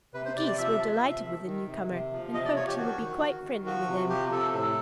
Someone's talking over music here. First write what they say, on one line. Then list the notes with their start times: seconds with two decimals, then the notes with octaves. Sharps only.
The Geese were delighted with the newcomer, and hoped he would be quite friendly with them.
0.14 C3 B4
0.25 C5
0.36 C3 D5
0.47 D5
0.58 F3 E5
0.80 F3
1.02 C3
1.24 D#3
1.46 D#3
1.67 C3
1.90 C3
2.12 F3
2.34 C3 D#5
2.45 D5
2.56 F3 C#5
2.67 G4
2.77 D#3 F#4
3.00 D#3
3.22 D#3
3.44 D#3
3.66 F3 F#4
3.87 C3
4.09 F3 G4
4.32 C3 A4
4.53 A2 A4